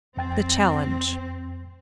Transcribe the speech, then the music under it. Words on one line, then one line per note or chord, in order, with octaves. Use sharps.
The Challenge.
F2 C4 G5 A6